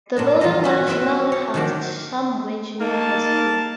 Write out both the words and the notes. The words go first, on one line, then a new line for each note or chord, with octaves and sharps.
The building originally housed Shumway junior high school.
A#2 D4 A#4
E2 F3 G3 D#5 A#5
F#4 D#5 E5
B3 C4 E4 B4 E5
C#5
D#3 F3 F#3 D4 G4
A#3 D#4 A5